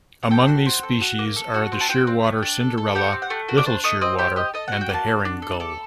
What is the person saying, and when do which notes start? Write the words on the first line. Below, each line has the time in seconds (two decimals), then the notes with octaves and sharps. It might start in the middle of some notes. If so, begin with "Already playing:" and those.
Among these species are the shearwater Cinderella, little shearwater and the herring gull.
0.23 F#5
0.31 A4 G5
0.48 F#4
0.66 C4
0.83 A4
1.01 F#4
1.19 A#3
1.36 A4
1.54 F#4
1.72 C4
1.81 A5
1.89 F#4 G5
2.07 C4
2.24 A3
2.42 D4
2.60 A4
2.78 A4
2.95 G4 F#5
3.13 C4
3.22 F#5
3.30 A3
3.48 F#4 A#4
3.57 D5
3.66 D4 C5
3.84 A3 D#5
4.01 C4 D#5
4.19 G4 D5
4.36 G4 D#5
4.54 A4 D#5
4.68 F#5
4.72 F#4
4.81 G5
4.90 A#3 A5
5.08 F#4
5.25 D4
5.42 A4
5.60 A4 D6